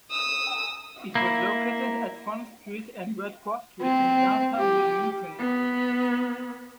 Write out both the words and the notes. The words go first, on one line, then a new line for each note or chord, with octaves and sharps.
It was located at Front Street and Red Cross Street in downtown Wilmington.
D#6 E6
A#3 E4
C4
G4
B3 B5